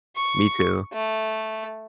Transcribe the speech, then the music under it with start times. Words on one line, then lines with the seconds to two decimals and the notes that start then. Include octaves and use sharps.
Me too.
0.16 C#6
0.94 A3